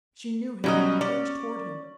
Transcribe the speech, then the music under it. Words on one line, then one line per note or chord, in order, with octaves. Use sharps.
She knew him, turned toward him.
B2 F#3 G3 C#4 D#5
C#4 D5